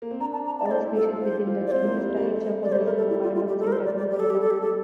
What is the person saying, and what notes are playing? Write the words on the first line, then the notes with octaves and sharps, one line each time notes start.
All species within the genus "Taricha" possess the biotoxin tetrodotoxin.
A#3
C4
D4 A#5
A5
A#5
A5
D5
E4 C5
E4
F4 A4
F4
G4 C5
F4
F4
E4
D5
C4 C5
A#3
G3
G3
A#3
A3
D5
G3 C5
A3
G3 A#4
A4
E4
F4
F4
G4
A4
A#4
C5
D5
D5
G4
A4
G4
A4
G4
A4